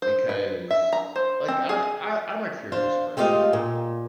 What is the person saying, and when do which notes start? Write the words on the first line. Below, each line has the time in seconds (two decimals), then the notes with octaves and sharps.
because, like, I I I'm a curious person,
0.02 C5
0.29 B4
0.71 E5
0.93 A#5
1.16 C5
1.48 C4
1.69 G#4
2.72 D4 C5 F5
3.17 G#3 A3 F4 G4 D#5 F5
3.53 A#2